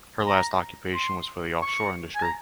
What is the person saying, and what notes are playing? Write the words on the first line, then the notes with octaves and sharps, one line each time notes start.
Her last occupation was for the offshore industry.
A#5
C6
C#6
G#5
A#5